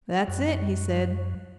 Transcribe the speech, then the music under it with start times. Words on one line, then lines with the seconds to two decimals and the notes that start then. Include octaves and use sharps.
"That's it," he said.
0.28 F#2